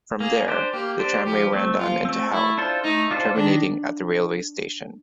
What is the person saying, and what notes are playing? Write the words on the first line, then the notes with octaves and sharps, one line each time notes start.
From there, the tramway ran down into Howth, terminating at the railway station.
A#3 G#4
D4 G4 C5
A#3 G4
D4 G4 C5
F3 G4
A3 C4
F3 F4
A3 C4
A3 E4
D4 F4 A4 C5
A3 D#4
D4 F4 A4 C5
D#3 D4